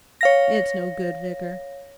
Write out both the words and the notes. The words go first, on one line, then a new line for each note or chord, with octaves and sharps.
'It's no good, Vicar.
C#5 F5 A#6